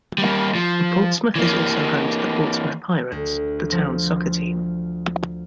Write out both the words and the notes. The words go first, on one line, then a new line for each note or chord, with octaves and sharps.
Portsmouth is also home to the Portsmouth Pirates, the town's soccer team.
G3 A#3
F3
E3 A#3
D2
F3